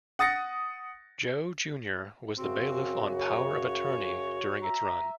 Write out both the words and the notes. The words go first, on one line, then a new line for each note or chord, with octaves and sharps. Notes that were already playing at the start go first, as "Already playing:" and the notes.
Joe, Junior was the bailiff on "Power of Attorney" during its run.
F#5 D#6 A6 A#6 C#7
F#2 C#3 C4 F#4
C#5
E5 A#5